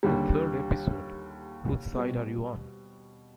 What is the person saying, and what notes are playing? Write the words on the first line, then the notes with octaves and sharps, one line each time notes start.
The third episode, Whose Side Are You On?
D#2 D3 G3
B2 G3 C4